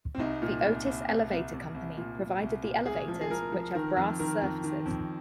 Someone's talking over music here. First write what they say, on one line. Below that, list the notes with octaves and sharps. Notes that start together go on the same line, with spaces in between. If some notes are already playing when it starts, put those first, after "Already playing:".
The Otis Elevator Company provided the elevators, which have brass surfaces.
C4
C2 D#4
A#2
C2
C2
C2
C2
C2
C2
A#2
A#2
C2
A#2
C2 G#4
F3
G#4
F3 A#4
F3
D#3 A#4
F2
D#3 A#4
F2
D#3
F2